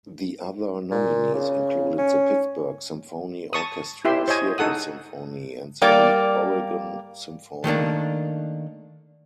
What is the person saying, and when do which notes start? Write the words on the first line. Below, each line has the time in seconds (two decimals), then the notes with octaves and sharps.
The other nominees included the Pittsburgh Symphony Orchestra, Seattle Symphony and The Oregon Symphony.
0.91 A#2
1.35 C#3
1.98 C#4
3.53 A5 C#6 D#6
4.05 E4 G4 E5 C6
4.28 C5 C#5 D#5 G#5
4.58 D#4 G#4 A4 F#5 D#6
5.81 G3 A#3 D5
7.64 D#3 A3 A#3 D4